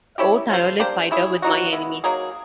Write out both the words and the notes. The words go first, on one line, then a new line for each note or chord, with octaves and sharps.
O tireless fighter with my enemies!
C#4 E4 G4
C#4 F4 A4 C5
A#3 D4 G4 C5
C#4 E4 G#4
F#3 A#3 D#4 F#4
G#3 B3 E4
F#3 A#3 D#4 G#4